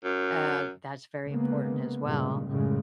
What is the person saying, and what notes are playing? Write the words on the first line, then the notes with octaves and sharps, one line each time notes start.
Uh, that's very important as well.
F#2
C#3 G#3 A#3 B3
G2 A#2 C#3 G#3
F#2 A2 C#3 G3 G#3